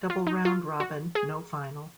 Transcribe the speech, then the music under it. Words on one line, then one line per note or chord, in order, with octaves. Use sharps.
Double-round robin, no final.
F4
D#4
F4
F#4
G#4